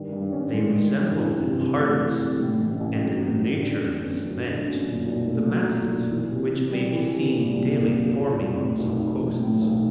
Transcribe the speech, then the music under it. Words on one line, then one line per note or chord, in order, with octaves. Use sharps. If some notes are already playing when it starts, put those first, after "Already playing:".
They resembled in hardness, and in the nature of the cement, the masses which may be seen daily forming on some coasts.
Already playing: G2 D#3
G2
C#4
G#3
D#3
G2
E3
C3
C3
A3
E3
C3
A2
A1
A1
F#3
A2
A1
D3
F#2
B3
F#3
D3
F#2
A#2
B1
A3
F#3
A#2
B1
E3
C3
B3
G3
E3
C3
A#2
C2
A#3
F#3
A#2
C2
A2
B1
B1
E3
A2
B1